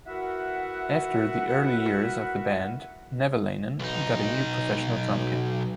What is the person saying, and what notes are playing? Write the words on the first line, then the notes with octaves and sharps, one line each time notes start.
After the early years of the band, Nevalainen got a new professional drum kit.
E4 F#4 A#4 B4 E5 F#5
B1 D#4